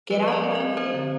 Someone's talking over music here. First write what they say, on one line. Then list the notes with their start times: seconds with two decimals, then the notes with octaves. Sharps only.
Get out of my way!
0.10 F3 B4
0.27 F3 D#5
0.32 D5
0.44 C4
0.55 D#5
0.60 C4
0.77 C4 C5
0.94 D3